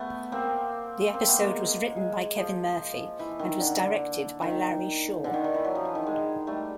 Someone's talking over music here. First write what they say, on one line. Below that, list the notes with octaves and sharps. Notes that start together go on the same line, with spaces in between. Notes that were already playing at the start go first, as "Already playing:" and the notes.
The episode was written by Kevin Murphy and was directed by Larry Shaw.
Already playing: A3 B3
A#3 C4
A#3 C4
A3 B3
G#3 A#3
G#3
F3
E3
D#3
D3
D#3
D3
D#3
D#3
E3
F#3
F3
E3
D#3
G#3
G3 A3